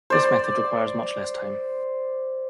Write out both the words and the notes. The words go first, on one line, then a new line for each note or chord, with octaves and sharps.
This method requires much less time.
C5 D5